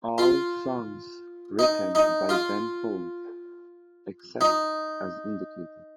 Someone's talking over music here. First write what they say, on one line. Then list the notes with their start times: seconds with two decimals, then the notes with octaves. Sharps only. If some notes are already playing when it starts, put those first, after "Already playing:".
All songs written by Ben Folds except as indicated.
0.18 F4
1.59 D#4
1.95 D#4
2.29 F4
4.41 D#4